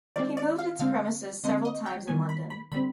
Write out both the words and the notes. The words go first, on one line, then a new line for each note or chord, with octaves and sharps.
He moved its premises several times in London.
D#3 G#3 C4 D5
D5
F5
D3 G#3 C4 F5
D3 G#3 C4 D#5
D#5
G5
D#3 G3 B3 G#5
B5
B5
D3 G3 C4 B5